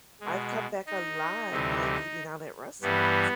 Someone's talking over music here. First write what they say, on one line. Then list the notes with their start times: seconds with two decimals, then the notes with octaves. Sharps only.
I've cut back a lot on eating out at restaurants.
0.21 B2 G#3
0.86 D#4
1.51 D2 C3 E3 G3
2.81 G2 E3 G3 B3